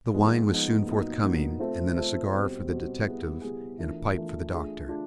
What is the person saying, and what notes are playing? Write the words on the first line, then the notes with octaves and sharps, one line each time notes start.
The wine was soon forthcoming and then a cigar for the detective and a pipe for the doctor.
F3 G#3 B3 D#4
F3 G#3 B3 D#4
A#2 F#3 B3 D#4
A#2 F#3 B3 D#4
A3 C4 F4 A4 C5
A3 C4 F4 A4 C5
B2 G3 C4
B2 G3 C4
G3 B3 E4 G#4
G3 B3 E4 G#4
E3 A3 D4 F4 A#4
E3 A3 D4 F4 A#4
A3 D4 F4 G#4
A3 D4 F4 G#4